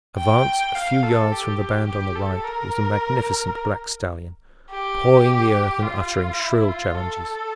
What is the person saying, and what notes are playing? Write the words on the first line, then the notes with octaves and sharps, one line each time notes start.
Advanced a few yards from the band on the right, was a magnificent black stallion, pawing the earth and uttering shrill challenges.
G5
F5
A4
G4
G4
A4
A#4
G4
F4
E4
F4
A4